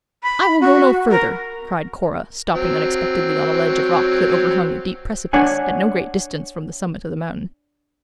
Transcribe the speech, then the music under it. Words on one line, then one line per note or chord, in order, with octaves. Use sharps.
"I will go no further!" cried Cora, stopping unexpectedly on a ledge of rock, that overhung a deep precipice, at no great distance from the summit of the mountain.
B5
F#4
A#4
F#3 C4
D4 C#5 F#5 G#5